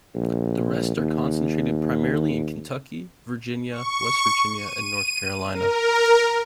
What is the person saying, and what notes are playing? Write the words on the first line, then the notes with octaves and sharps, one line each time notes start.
The rest are concentrated primarily in Kentucky, Virginia, West Virginia, and North Carolina.
A#1
D#2
C#6
D#7
A#4